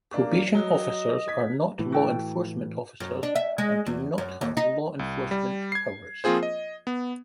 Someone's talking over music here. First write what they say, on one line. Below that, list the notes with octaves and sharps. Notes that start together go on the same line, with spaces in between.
Probation officers are not law enforcement officers and do not have law enforcement powers.
A#3 D4
F#3 D#5
G#6 B6
A2 E3
F#4 A4 G5
F#2
D4
E5
G#3
E2
F#2
D#2
D#4
C2
G3
G#6 C7
F3 A#3 C4 F4 G#4 C5
D#5
B3